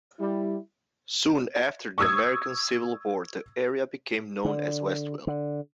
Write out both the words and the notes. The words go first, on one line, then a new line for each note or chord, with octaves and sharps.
Soon after the American Civil War, the area became known as Westville.
G3 E4
C#6 D#6 E6 G#6
D3
D3